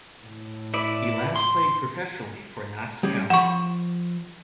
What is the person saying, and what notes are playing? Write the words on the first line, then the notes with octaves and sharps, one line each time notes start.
He last played professionally for Notts County.
A2
E4 B4 D5
C6
G3 C#4 G#4
F3 F#5 B5 C#6